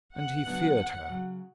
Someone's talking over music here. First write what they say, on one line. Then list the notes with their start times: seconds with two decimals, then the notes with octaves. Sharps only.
And he feared her.
0.15 E2 F#5
0.46 C#3 F#3 B3 D4
0.76 D2
1.08 C#3 F#3